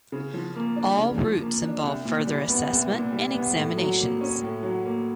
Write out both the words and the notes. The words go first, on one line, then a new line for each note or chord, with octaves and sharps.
All routes involve further assessment and examinations.
C#3
F3
A#3
D4
C#3
F3
A#3
D4
C2
A#2
G3
B3
C2
A#2
G3
B3
A2
F#3
A#3
C#4
A2
F#3
A#3